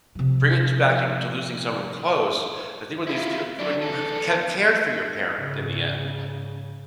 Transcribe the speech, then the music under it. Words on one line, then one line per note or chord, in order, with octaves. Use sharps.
bring it t back to m to losing someone close, I think when these p when you have kept cared for your parent in the end,
C3 F3
E4 F4
F#3 D4
E2 A4
G#2 C#3